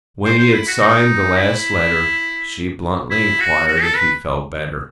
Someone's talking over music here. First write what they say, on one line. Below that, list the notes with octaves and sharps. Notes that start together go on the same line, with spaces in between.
When he had signed the last letter she bluntly enquired if he felt better.
C5
C5
E4
F#4
D#4
E4
E4
F#4
F#4
A4
B4